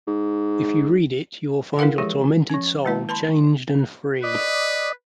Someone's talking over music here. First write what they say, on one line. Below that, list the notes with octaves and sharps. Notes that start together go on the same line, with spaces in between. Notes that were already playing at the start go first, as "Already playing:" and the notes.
If you read it, you will find your tormented soul changed and free.
G#2
E4 A4 A#4 F5 F#5
E3 F3 G#3 G4 G#4
F3 C#4
D#3 G#3 A#3 E4 A5
B4 A5 B5 C6
B4 D5 D#5